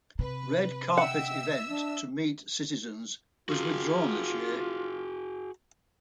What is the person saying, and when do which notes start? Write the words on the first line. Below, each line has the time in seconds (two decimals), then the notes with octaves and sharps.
Red carpet event to meet citizens was withdrawn this year.
0.19 C3 B4
0.97 D#5 E5 F#5 G5 E6
1.68 D4
3.49 F4 F#4 G#4